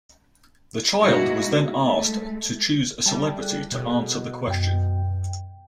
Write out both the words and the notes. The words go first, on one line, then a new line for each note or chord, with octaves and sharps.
The child was then asked to choose a celebrity to answer the question.
B2 G#3 A#3 D#4 E4 F#4
G#3 A3
G3 E5 G5 A5
G#4 A4 F#6
B2
F#2 G5